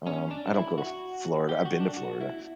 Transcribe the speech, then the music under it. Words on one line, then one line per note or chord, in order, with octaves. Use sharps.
um, I don't go to Florida. I've been to Florida,
C#4
D4
E4
F#4
G4
F#4
D4
F#4
E4